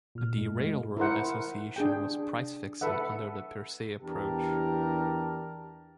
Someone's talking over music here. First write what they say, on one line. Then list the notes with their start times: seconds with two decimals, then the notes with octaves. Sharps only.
The railroad association was price fixing under the per se approach.
0.15 A#2 F6
0.36 F#2 G#3 A3
0.58 G#3 F4
0.97 E4 A#4 C5 F#5
1.76 D4 G#4 G5
2.81 A4 B4 E5 F#5
4.03 E2 E3 D4 G4 A#4 A5